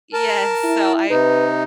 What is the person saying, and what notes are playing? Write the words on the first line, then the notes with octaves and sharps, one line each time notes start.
Yes, so I
A#4 A5
E4
C3 D#4 B4